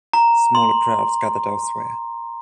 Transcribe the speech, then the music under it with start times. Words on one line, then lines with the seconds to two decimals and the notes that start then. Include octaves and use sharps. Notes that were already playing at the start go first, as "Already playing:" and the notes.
Smaller crowds gathered elsewhere.
0.13 A#5
0.55 C6